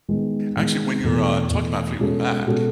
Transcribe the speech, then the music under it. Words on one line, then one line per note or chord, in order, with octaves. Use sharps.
Actually, when you were, uh, talking about Fleetwood Mac,
D#3 G#3 B3
D#3 G#3 B3
E2 B2 A3
E2 B2 A3
B2 G#3 C#4 F#4 A4
B2 G#3 C#4 F#4 A4